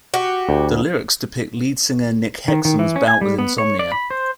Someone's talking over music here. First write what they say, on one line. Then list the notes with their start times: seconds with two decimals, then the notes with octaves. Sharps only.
The lyrics depict lead singer Nick Hexum's bout with insomnia.
0.14 F#4 G4
0.49 D2
2.48 D#3
2.65 D#3
2.79 E3
2.96 C#4
3.08 G#5
3.21 G3
3.38 B3
3.58 C#5
3.79 D5
3.92 B5
4.11 C5